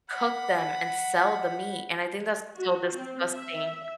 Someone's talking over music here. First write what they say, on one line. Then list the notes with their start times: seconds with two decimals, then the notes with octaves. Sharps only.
cook them and sell the meat, and I think that's so disgusting.
0.10 F#5 B5
2.58 F#4
2.97 C4
3.35 E5